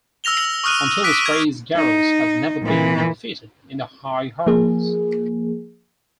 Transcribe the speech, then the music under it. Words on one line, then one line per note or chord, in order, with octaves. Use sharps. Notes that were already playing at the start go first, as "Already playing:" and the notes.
Until this race Garrels has never been defeated in the high hurdles.
E6 F6 A#6 F7 G7
C#6 D#6 F6 F#6 D#7
D6 F#6 B6 D7 D#7
G#6
D#4
A#2 E3
F3 A#3 G#4